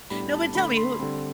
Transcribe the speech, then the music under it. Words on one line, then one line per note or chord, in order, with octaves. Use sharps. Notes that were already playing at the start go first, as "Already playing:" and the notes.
No, but tell me who
A2 G3 B3 D4 B5
A5
D3 A3 D4 B5
C6
D3 G3 C4